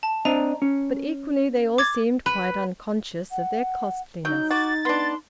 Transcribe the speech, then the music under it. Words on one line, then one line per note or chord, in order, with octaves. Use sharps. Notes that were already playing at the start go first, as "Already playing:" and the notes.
But equally, they all seemed quite unconscious of their costliness.
A5
C4 D4 D#5 A#5
C#4
D6 G#6 A6
B4
F#5
F#3 D#4 G6
F#4 D6 A6
B3 D4 C6